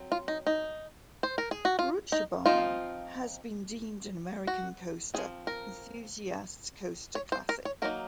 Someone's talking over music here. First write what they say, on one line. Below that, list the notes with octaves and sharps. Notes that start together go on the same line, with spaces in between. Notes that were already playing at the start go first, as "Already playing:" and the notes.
"Rutschebanen" has been deemed an American Coaster Enthusiasts Coaster Classic.
Already playing: F#3 C4
F4
D#4
D#4
C5
A#4
G#4
F#4
F4
D#4
F3 C4 D#4 F4
F#4
F3 G#3 C4 G#4
A#4
C#5
C5
A#4
C#5
F#3 A#3 D#4 A#4